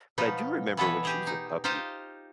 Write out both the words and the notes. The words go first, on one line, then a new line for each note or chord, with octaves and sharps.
but I do remember when she was a puppy,
B2 F3 B3 D#4
E3 B3 A4 B4 C#5
G4 G#4
D#4
D#4 F4 G4 C5 D#5 F5